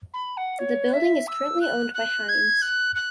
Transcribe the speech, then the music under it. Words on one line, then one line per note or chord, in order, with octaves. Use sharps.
The building is currently owned by Hines.
B5
F#5
C#5
E5
E6
F#6
F#6
G#6
F#6
F#6